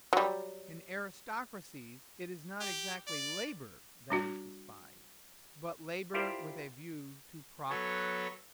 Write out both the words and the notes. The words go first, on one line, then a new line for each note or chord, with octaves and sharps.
In aristocracies it is not exactly labor that is despised, but labor with a view to profit.
F#3 G3
G4
D5
G3 D4 F#4
E4 F4 G4 A#4 C5 D5
F#3 B3 A4 C#5